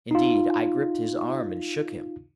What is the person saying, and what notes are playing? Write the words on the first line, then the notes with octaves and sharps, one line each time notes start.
Indeed I gripped his arm and shook him.
D#4 F4